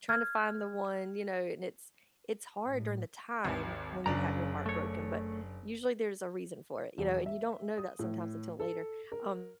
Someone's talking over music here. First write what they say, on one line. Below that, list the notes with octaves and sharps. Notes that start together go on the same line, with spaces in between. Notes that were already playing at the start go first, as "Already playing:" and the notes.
trying to find the one, you know, and it's it's hard during the time when you have your heart broken, but usually there's a reason for it, you know, and you don't know that sometimes until later, um,
F6 G#6
A2
G#1 D#2
F#1 C#3 D4 A#5
A3 C#5
E1
E5
D#6
A2
A4
A#4